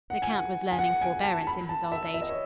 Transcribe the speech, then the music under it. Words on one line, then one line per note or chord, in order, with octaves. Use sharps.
The count was learning forbearance in his old age.
F#5
G#5
F#5
G#5
F#5
G#5
A5
B5
A5
E5
E5
D#5
C#5